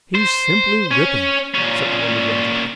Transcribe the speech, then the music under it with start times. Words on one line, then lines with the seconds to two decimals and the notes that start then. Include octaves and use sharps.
"He's simply ripping!" said the undergraduate.
0.15 C5
0.91 C#4
1.55 A#2 C#4